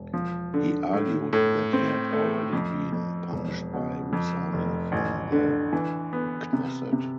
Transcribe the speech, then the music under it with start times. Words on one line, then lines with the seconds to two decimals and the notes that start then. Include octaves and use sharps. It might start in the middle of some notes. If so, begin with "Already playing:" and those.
He argued that he had already been punished by resigning from the Knesset.
Already playing: E1
0.13 F3
0.54 D3
0.93 A2
1.33 A2
1.73 C4
2.13 A3
2.53 F2
2.93 F2
3.32 E1
3.73 B2
4.13 F2
4.53 F1
4.92 A1
5.32 D3
5.73 E3
6.13 B3
6.53 C3
6.92 C3